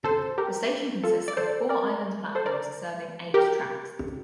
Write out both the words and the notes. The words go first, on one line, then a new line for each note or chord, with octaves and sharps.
The station consists of four island platforms serving eight tracks.
A4 C5
G4 A#4
F4 A4
D5
A4 C5
A#4 D5
A4 C5
A#4 D5
G4 A#4